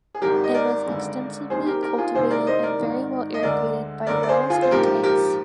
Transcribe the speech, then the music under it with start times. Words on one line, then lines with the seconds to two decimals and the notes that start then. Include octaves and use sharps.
It was extensively cultivated and very well irrigated by wells and tanks.
0.15 G#4
0.22 G#1 G#2 G3 G4 A#4
0.44 D#5
0.54 A#4 D5
0.86 G#1 G2 D3 G#3
1.50 D#2 D#3 G3 C4 G#4 C5
1.66 G4 A#4
1.83 G4 A#4
1.98 F4 G#4
2.14 C2 C3 D#3 G#3 G#4 C5
2.31 A#4 D5
2.47 C5 D#5
2.63 A#4 D5
2.78 G#1 G#2 D#3
3.34 D#5
3.43 D2 D3 G#3 D4 A#4 D5
4.07 G1 G2 D3 A#4 D5
4.23 D5
4.29 G#4 C5
4.50 F4 G#4
4.62 C5
4.71 A#1 G#2 F3 A#3 G4 A#4
5.03 G4 A#4